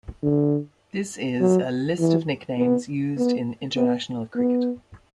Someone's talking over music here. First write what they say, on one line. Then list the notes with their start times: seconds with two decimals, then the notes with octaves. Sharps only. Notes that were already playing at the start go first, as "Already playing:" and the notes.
This is a List of nicknames used in international cricket.
0.23 D3
1.40 F#3
1.99 E3
2.58 B3
3.17 B3
3.76 B3
4.35 B3